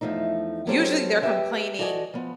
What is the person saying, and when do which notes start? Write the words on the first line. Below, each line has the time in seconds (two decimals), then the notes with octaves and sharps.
Usually they're complaining
0.01 E2 G2 F3 A3 D#4
0.67 F#3 B3 C#4 G4 A4 C5
1.22 G4 A#4 B4 E5 G5 G#5
1.79 F#4 A4 D5 D#5 F5 G#5
2.14 F3 B3